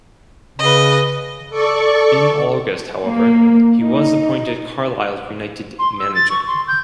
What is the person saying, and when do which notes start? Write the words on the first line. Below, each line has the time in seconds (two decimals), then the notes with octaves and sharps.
In August, however he was appointed Carlisle United manager.
0.59 C#3 B4 D#5
1.50 A4 D5 C#6
3.05 A#3
3.80 D#4
5.79 C6
5.99 E6
6.14 A6
6.29 C#6
6.47 C6
6.67 G6